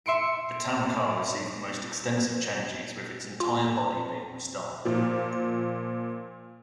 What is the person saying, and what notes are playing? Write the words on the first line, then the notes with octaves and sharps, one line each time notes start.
The Town Car received the most extensive changes with its entire body being restyled.
E5 C6 C#7 D7
F4
A#2 F3